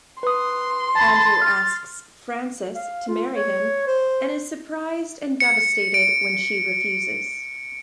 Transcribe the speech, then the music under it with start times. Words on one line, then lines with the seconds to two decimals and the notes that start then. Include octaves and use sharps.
Andrew asks Frances to marry him, and is surprised and devastated when she refuses.
0.23 B4 C6 D#6
0.95 A5 B5 A6
1.42 F6
2.75 F5
3.08 F4
3.34 C#5
3.87 C5
5.40 C#7
5.94 D7